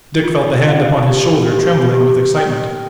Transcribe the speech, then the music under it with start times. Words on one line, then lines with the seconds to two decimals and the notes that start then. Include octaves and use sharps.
Dick felt the hand upon his shoulder trembling with excitement.
0.24 F4
0.67 F5
1.10 G4
1.52 G4
1.95 G4
2.37 G5